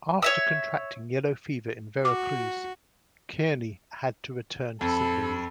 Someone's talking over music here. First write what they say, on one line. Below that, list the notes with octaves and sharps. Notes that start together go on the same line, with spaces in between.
After contracting yellow fever in Veracruz, Kearny had to return to Saint Louis.
C#5 E5 E6
F#4 D6
F2 A4 B5